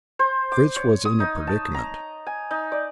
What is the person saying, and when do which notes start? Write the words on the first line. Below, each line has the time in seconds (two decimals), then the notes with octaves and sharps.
Fritz was in a predicament.
0.19 C5
0.52 D6
0.76 C#5
1.05 D#6
1.20 D#4
1.47 A5
1.74 A#5
2.26 G#5
2.51 D#4
2.72 D5